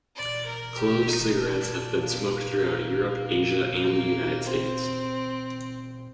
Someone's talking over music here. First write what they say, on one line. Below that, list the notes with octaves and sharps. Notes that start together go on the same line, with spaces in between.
Clove cigarettes have been smoked throughout Europe, Asia and the United States.
D5
A#4
G4
D#4
D4
A#3
A#3
C4